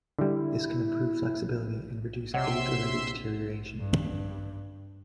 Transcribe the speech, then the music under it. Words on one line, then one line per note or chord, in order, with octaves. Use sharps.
This can improve flexibility and reduce age-related deterioration.
D3 G3 E4
C3 C#5 D#5 E5 F#5 C6 E6
G2